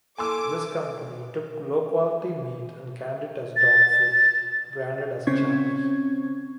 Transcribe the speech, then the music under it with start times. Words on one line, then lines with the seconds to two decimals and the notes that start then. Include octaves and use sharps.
This company took low-quality meat and canned it as dog food, branded as "Chappie".
0.18 A4 G#5 C6 D6 E6
3.56 A6
5.27 C#3 C4 C#4 C#6 G#6